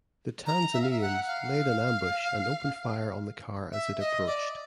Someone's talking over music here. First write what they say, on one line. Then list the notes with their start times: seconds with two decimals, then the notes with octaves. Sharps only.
The Tanzanians laid an ambush and opened fire on the car as it approached.
0.46 A#5
0.74 E5
0.82 F5
0.90 E5
1.01 F#5
1.27 F5
3.72 E5
4.00 D#5
4.27 D5